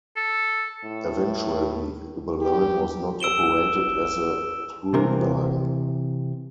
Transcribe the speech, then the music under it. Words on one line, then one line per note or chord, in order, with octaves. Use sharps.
Eventually, the line was not operated as a through line.
A4
A2
G4
E6 D7 E7 G7
C3 E3 A#4